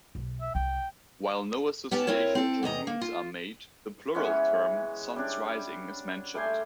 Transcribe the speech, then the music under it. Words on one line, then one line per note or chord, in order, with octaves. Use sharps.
While no association to moons are made, the plural term, "suns rising", is mentioned.
B1
E5
C2 C#3 G5
B3 C#4 G4 A5
D2 C4 E4 A#4 C#5
C4 A4
E2 C3 D#5 A#5
A#3
F4
E3 G#3 B3 C#4
G3 C#4 D4
G3 A3 C5 G#5